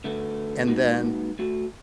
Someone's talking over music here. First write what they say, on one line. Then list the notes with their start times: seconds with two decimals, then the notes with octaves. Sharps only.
and then
0.04 D3 A3 B3
0.67 G#3 A#3 B3 D#4 F#4
1.39 A3 F#4